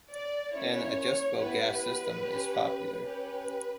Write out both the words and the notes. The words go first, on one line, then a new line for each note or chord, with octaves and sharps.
An adjustable gas system is popular.
D5
A#3 C#4 E4 C#5
B3 E4 G4 B4
C#4 G4
C#4 G4 B4